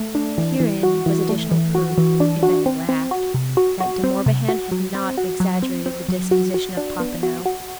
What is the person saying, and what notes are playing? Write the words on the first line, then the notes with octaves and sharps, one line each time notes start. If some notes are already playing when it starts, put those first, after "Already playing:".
Herein was additional proof, if any lacked, that De Morbihan had not exaggerated the disposition of Popinot.
Already playing: A3
D4
E3
E3
F#4
E3
A3
E3
F#4
E3
D4
F#4
C4
C4
F#4
C3
F#4
F#4
C4
C3
F#4
F#3
C4
F#4
F#3
C4
C4
F#3
F#4
F#4
D4
B3
F#4
F#4